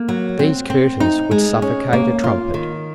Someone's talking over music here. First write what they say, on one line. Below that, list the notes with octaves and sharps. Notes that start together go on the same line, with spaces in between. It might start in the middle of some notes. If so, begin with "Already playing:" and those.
These curtains would suffocate a trumpet.
Already playing: A#3
F#3
C4
C4
D#4
G#3
C#4
A#3
F4
D#3